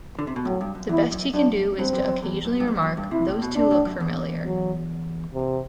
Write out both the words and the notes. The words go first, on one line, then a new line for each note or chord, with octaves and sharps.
The best he can do is to occasionally remark, Those two look familiar!
D3
C3
B2
A2 F#3
G2
F#2
E2 E4
F#2
F#2 D4
G2 C4
F#2
E2
F#2
E2
F#2
G2
F#2
G2
F#2
G2
C3 E4
A2
B2
C3 D4
A2
F#2
E2
F#3
C3